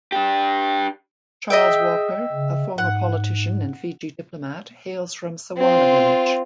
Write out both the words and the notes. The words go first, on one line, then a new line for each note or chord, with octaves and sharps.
Charles Walker, a former politician and Fiji diplomat hails from Sawana village.
D4 G4
G#4 D#5 E5 G5
C#3
G#2 F#5
C4 F4